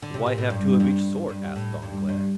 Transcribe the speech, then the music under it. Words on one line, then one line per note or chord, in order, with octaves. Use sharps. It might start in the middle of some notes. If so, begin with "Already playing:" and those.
"But why have two of each sort?" asked Danglars.
D3
C3
A#2
A2
G2
F2
G2
G2
A2
G2
G2